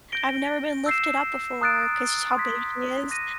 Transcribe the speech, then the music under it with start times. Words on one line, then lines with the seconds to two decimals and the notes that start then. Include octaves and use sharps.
I've never been lifted up before," 'cause how big she is.
0.12 G6 A#6 D7 G7
0.86 E6 G6 C7 E7
1.61 A#5 D#6 F#6 A6 D7
2.35 C6 D#6 G#6 B6
3.10 D6 F#6 A#6 D#7